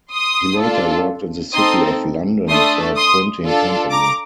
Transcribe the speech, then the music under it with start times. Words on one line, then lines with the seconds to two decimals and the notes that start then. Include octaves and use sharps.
He later worked in the City of London for a printing company.
0.11 C6 D#6
0.59 D4 F4 A4
1.53 C4 D#4 A4 C6 D#6
2.49 A3 D4 A4 C6 D#6
2.96 C6 D#6
3.44 D4 F4 A4
3.91 A#5 D6